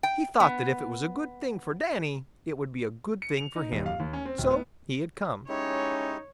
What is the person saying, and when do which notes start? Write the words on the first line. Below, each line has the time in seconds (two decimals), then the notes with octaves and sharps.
He thought that if it was a good thing for Danny it would be a good thing for him, so he had come.
0.03 G5
0.40 B3
3.22 C#7
3.37 F7
3.56 D#4
3.72 D#1
3.86 F5
4.00 D#2
4.13 C#4
4.25 C4
4.38 D1
4.51 B3
5.49 G#3 C#4 D#4 E4 G4 C#5